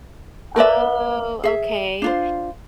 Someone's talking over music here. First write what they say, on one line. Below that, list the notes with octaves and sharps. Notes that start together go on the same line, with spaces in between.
Oh, okay.
A#4 B4 D5 E5
G#4 E5
D4 F4 C5